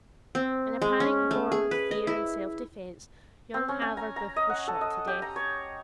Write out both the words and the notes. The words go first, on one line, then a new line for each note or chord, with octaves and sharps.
In a panic born of fear and self-defense, young Averbuch was shot to death.
C4
G#3
C#4
A3
G#4
B4
D#5
E4
C4
C#4
G#5
A#5
A#5
D#5
F#5
A4
D#5
G4
A#5
C#5